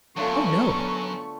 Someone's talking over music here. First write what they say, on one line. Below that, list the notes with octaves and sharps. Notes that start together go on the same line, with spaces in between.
"Oh no."
F#2 D3 A3 B3 C#4 F4 B4 C#6